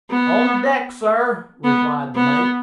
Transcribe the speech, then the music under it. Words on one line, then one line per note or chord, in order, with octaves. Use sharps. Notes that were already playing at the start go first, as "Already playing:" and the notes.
"On deck, sir," replied the mate.
B3
B3
B3